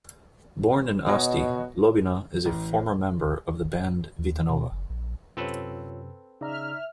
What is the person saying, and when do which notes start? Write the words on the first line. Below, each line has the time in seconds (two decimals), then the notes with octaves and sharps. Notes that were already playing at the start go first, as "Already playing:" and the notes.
Born in Asti, Lobina is a former member of the band Vitanova.
1.06 B2 F#4 C#5 D#5
2.45 A1
4.19 D#2
4.49 B2
4.71 F#1
4.90 A#1
5.37 F#2 C3 C4 F4 A4 B4 C#5
6.41 C#3 D#4 D5 E5 A#5 F6